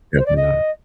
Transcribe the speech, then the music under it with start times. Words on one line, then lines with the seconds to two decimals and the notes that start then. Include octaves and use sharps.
definitely not.
0.16 C5
0.26 D5
0.36 D#5